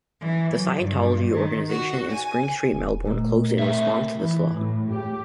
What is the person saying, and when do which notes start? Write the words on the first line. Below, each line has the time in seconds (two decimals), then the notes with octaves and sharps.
The Scientology organisation in Spring Street, Melbourne, closed in response to this law.
0.21 E3
0.52 F#3
0.82 G2
1.33 D#3
1.70 F#4
2.11 G#5
2.73 E1
3.05 A#2 A3 A#4
3.59 A2 C3 E5
4.16 E3
4.52 A2
4.90 G4